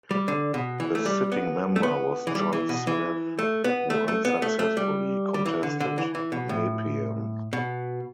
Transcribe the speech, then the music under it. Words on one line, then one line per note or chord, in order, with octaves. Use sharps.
The sitting member was John Smith who unsuccessfully contested Nepean.
G3
D3
B2
E3
A3
G3
B3
A3
B3
E3
G3
E3
B2
E3
A3
B3
A3
A3
B3
A3
A3
G3
G3
E3
D3
D3
E3
E3
B2
A2
B2